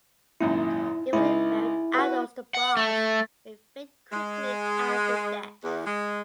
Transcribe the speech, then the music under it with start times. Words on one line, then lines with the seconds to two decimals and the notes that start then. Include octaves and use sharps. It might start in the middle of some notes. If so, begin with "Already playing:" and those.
Even in barred adults the bars may fade quickly after death.
0.41 G#1 F#2 A#2 E4
1.13 C#2 D#4 E4
1.94 F#4 B4
2.55 F#5
2.77 A3
4.11 G#3
5.63 E2
5.86 G#3